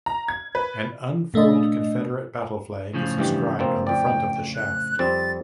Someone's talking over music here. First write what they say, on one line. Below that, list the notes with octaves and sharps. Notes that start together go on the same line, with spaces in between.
An unfurled Confederate battle flag is inscribed on the front of the shaft.
A#5
G#6
B4
A#2 A3 D4 D#5
A2 C#3 F3
G2 E3 G4
B2 A#3 C4
F2 D5 G5
F#6
F2 G3 C4 A6